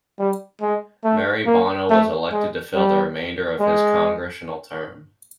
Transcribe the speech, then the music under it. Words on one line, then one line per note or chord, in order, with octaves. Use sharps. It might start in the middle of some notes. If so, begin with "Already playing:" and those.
Mary Bono was elected to fill the remainder of his congressional term.
G3
G#3
A3
A#3
A3
G#3
G3
G#3